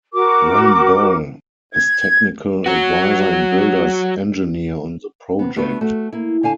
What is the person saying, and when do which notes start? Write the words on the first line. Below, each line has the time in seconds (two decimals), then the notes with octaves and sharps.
Ramboll is technical advisor and builder's engineer on the project.
0.14 F#4 A#4 D6
1.74 G#6
2.66 F#3 F#4
5.39 C3 B3
5.56 A3 B3 D4 F#4 B4
5.81 A3 F#4
6.13 A#3 E4
6.43 D3 F5 G#5 A5